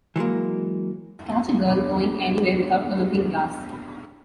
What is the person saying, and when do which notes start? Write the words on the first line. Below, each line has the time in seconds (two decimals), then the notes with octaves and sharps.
Catch a girl going anywhere without a looking-glass.
0.16 E3 F#3 G#3 A#3
1.68 B3 D4